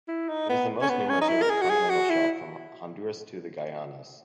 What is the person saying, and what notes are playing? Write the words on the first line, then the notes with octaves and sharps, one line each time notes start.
It is most numerous over the continental shelf from Honduras to the Guianas.
E4
D#4
B3
C#4
B3
C#4
D#4
E4
A#4
G#4
F#4
G#4
F#4
E4